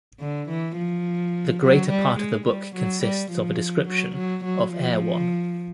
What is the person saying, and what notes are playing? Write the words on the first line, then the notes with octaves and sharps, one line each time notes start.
The greater part of the book consists of a description of Erewhon.
D3
E3
F3
F#3
G3
G#3
G3
F#3
G3
F3
F#3
F#3
F#3
F3